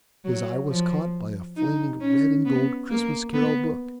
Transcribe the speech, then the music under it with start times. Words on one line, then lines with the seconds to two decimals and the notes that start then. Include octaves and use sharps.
His eye was caught by a flaming red-and-gold Christmas-carol book.
0.24 F#3
0.68 F3
1.57 D#4
2.01 C#4
2.45 B3
2.90 A#3
3.33 B3